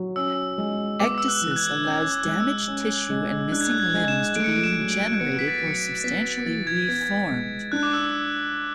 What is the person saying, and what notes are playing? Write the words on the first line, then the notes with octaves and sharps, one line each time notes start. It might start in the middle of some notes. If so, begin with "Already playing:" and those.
Ecdysis allows damaged tissue and missing limbs to be regenerated or substantially re-formed.
Already playing: F#3
C#4 E6
G#3
B3 D6
E6
F#6
E3
F#6
G#6
C#4 G#6
F#6
G#3 F#6
E6
C#4
G#3
D4 F#6
G#6
F#6
G#6
G#3
E7
A3 D7
C#7
D7
E7
F#3
D7
B3 C#7
B6
A6
F#3 C#7
B6
B3 B6
A6
E3 A6
G#6
B3
G#3
D4 F#6
D6
E6